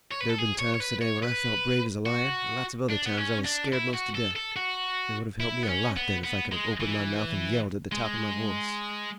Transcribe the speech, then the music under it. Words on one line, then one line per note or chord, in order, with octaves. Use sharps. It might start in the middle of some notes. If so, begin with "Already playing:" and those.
"There have been times today when I felt brave as a lion, and lots of other times I was scared most to death. It would have helped me a lot then, if I could have opened my mouth and yelled at the top of my voice."
C#5
B4
A4
G#4
C#5
C#5
B4
C#5
B4
F#4
D4
B3
C#4
D4
E4
F#4
A4
A4
F#4
E4
B3
C#4
B3
B3
G#3
E3
G#3